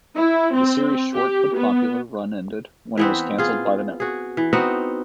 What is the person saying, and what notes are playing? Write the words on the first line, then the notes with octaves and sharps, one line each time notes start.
The series' short but popular run ended when it was canceled by the network.
E4
C4
G4
B3
E3 B3 C4
F4 G#4
F#4 G#4
E3
B3 C4 D#4 F#4